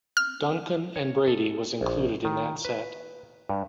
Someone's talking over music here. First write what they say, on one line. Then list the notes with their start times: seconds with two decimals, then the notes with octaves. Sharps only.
"Duncan and Brady" was included in that set.
0.17 F6
0.96 C#5
1.28 A4
1.81 A#1
2.25 D#3
2.65 B4
3.49 G2